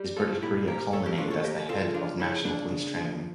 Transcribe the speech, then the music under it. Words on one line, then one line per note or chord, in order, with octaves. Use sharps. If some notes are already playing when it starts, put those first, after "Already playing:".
His British career culminated as the Head of National Police Training.
Already playing: G3
A2 F4 A4
A#2 E4 G4
A#2 G4 A#4
A3 A4 C#5
G4 A#4
A3 D4 F4
A4 C#5
A#3 G4 A#4
C#3 F4 A4
F3 D4 F4
C#3 C#4 E4
A#3 D4
C#3
F3